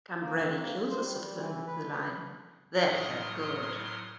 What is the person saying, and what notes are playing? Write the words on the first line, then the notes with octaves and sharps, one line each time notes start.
Gambrelli closes the film with the line: That felt good!
A#3
C4
A#3
C5
G3
E3
B4
A2 F#3 C6 D#6 F6